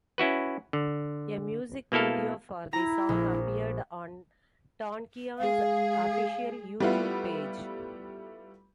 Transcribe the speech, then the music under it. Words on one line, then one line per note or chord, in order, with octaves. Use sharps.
A music video for the song appeared on Tankian's official YouTube page.
C#4 E4 F#4 B4
D3
B2 A#3 E4 A4 F5
E4 A#5
A#1
G#3 G#4 F5
G3 A3 B3 E4 F4